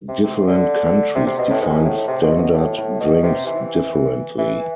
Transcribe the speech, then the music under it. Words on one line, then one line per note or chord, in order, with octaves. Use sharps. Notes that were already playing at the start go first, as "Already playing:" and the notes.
Different countries define standard drinks differently.
C3
C3
D3
C3
C3
B2
A2
G#2
A2
C3
B2
B2
A2
A2
B2
C3
E3
E3